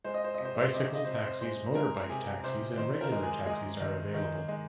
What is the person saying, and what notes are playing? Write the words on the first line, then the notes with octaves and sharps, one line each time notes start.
Bicycle taxis, motorbike taxis and regular taxis are available.
G#3 C5
D#5
C5
C3 D#5
C5
D#5
C5
C3 D#5
C5
D#5
C3 C5
D#5
C5
G#3 C5
G#3 A#4
C3 G#4
C3 C5
D#3 C5
A#4
G#3
G#4
G#3 G#4
D#3
D#3
G#3